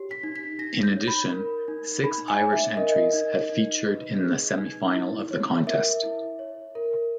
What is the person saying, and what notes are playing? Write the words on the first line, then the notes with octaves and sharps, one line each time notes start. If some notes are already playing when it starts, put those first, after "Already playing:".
In addition, six Irish entries have featured in the semi-final of the Contest.
Already playing: G4 C#5
B6
D#4
B6
D#4 A#6
G6
C#5
B5
A#4
D#4
D#4 B5
G#5
C#5
E5
A#4 D#5
D#4
D#4
B4
G#4
D#4
E4
C#5
A#4 E5
E4
C#5
A#4